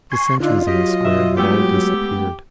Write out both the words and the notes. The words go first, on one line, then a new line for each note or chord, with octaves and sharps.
The sentries in the Square had all disappeared.
G#5 C6 C#6
D3 D4 D#4 F4
F#3 G4 D#5
B1 E5
G#3 A3 B3 G4